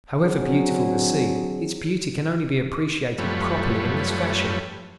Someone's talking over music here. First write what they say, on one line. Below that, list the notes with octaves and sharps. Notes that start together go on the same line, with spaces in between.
However beautiful the sea, its beauty can only be appreciated properly in this fashion.
D3 F#3 C4 G#4
F#2 F3 G3 A3 B4 C#5